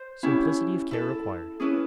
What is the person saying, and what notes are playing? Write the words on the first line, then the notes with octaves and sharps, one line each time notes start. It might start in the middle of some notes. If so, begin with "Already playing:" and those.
Simplicity of care required.
Already playing: C5
C#4 E4 G4
E4 A4
C#4 E4 G#4 B4